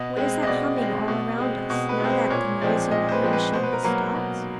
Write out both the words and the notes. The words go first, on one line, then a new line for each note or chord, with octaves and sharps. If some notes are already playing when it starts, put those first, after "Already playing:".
What is that humming all round us, now that the noisy mowing-machine has stopped?
Already playing: B2 D#5
G#3 C4
D#5
B2 D5
G#3 C4
B2
G#3 C4
B2
B4
G#3 C4
C5
A#2 C#5
F3 G#3 C4 D5
A#2 D#5
C5
B4
F3 G#3 C4
B4
B2 C5
B4
A#4
F#3 A#3 B4
B2